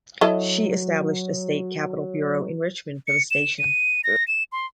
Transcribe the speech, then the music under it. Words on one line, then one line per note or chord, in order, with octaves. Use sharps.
She established a State Capitol Bureau in Richmond for the station.
F#3 E4 A4 D#5
C#7
E7
D#7
A#6
E7
C6